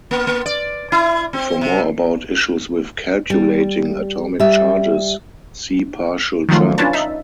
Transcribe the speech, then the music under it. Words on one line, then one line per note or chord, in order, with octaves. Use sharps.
For more about issues with calculating atomic charges, see partial charge.
A#3
A#3
D5
E4
C4
C3
G3
G3 E5
D#3 F3 F#3 A3 F4
C#4 D4 F4 B4 C#5 A5
D#4 E5